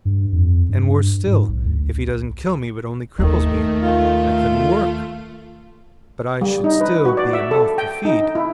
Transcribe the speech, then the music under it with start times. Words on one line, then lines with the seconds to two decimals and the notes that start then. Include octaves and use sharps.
And worse still, if he doesn't kill me but only cripples me: I couldn't work, but I should still be a mouth to feed.
0.05 G2
0.33 F2
0.69 G2
1.27 G#2
1.49 B1
1.66 D2
3.19 D#2 D#3 A3
3.82 F4
6.41 G3
6.64 D#4
6.81 B4
7.05 F#4
7.17 D5
7.33 E5
7.51 A4
7.78 G5
8.05 D#4
8.35 E4